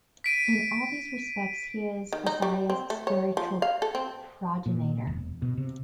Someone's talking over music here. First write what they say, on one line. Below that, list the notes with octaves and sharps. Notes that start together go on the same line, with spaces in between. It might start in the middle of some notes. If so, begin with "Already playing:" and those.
In all these respects he is Isaiah's spiritual progenitor.
B6 D7 D#7
D#3
D#4
G3
C4
A3
C#5
F3
F5
A4
C4
A#2
E1
B2
C3